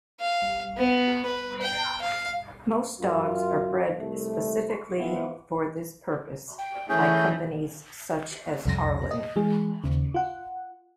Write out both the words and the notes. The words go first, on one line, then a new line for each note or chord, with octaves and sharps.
Most dogs are bred specifically for this purpose, by companies such as Harlan.
F5
B3
B4
G5
F5
F#2 F4
C2 F2 A3
G#2 E3 G#3 B3 C4 F4
G5
E3 A3 C#4 G#4 G6
C2 F2 A#6
D#5
E3 G#3 G#4
D#2 C#3
F4 F#5